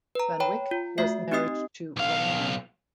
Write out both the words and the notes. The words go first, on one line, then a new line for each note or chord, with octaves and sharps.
Van Wyk was married to Romina.
B4 A#5
C#5 G5 B5
F4
A3 F#4 E5 C7
C4 D#4 G4 D#5 D#6 C7
B1 F5